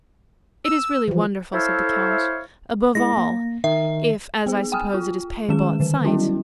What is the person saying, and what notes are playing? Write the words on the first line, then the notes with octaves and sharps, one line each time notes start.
"It is really wonderful," said the count; "above all, if, as I suppose, it is payable at sight."
E6
E3 F3
A3 E4 A4 C5 C#5 F5
G#3 E4 A#6
A#3
D#3 E5
B3 G#4
G5 G#5 D#6 F6
F4
D#3 G#3 C#4 G#4 E7
D3 D#3
F#3 G3 B3 C#4 E4 F#4